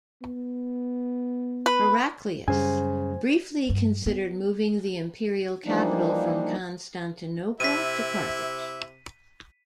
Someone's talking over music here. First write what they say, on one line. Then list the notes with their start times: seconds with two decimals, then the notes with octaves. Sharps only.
Heraclius briefly considered moving the imperial capital from Constantinople to Carthage.
0.22 B3
1.66 B4
2.48 F#2 C#3 G3 C5 G#5
3.69 G2
4.06 B3
5.66 E3 F3 G3 A#3 D4 D#4
7.60 C3 E4 B6 D#7